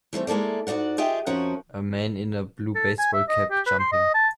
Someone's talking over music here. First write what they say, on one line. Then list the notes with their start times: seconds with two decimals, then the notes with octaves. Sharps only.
A man in a blue baseball cap jumping.
0.13 E3 G3 A3 C4
0.27 G#3 A#3 E4 A4 D5
0.67 G#2 F#4 D5 F#5
0.98 F4 G4 G#4 D#5 E5 G5
1.26 F2 F3 C#4 F#4 A#4 D#5
2.76 A4
2.99 G#5
3.13 E5
3.29 D#5
3.51 G4
3.66 B4
3.80 C6
3.92 D#5
4.14 A5